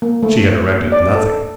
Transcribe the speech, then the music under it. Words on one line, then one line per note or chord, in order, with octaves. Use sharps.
She had erected nothing.
A#3
A3
A#3
D5
A4